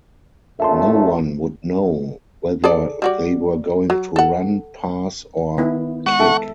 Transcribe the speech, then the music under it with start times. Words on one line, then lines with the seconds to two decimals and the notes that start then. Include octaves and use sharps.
No one would know whether they were going to run, pass or kick.
0.60 A#1 A3 C#4 E5 A5 C6
2.64 G#4 A4 D5
3.02 G3 F#4 D5
3.90 F#3
4.16 A4 F#5
5.58 D#3 B3 E4
6.06 G#3 F#5 C#6
6.20 A4 E5 A5